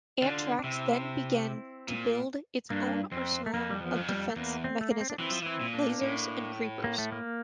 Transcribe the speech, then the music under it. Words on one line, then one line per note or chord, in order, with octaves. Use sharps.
Antrax then began to build its own arsenal of defence mechanisms: lasers and Creepers.
D3 D4 F4
D4
C3 C4 E4
A#2
G2 A#3 D4
F2 C4
A3
F2 A#3
G3
E2 F3
F2
G3
A3
E2 A#3
C4
A3
A#3
C4
D4
E3 C4 E4
F3
E3 C4 E4
A#2
A#3 D4
A2
A#3
A3
A#3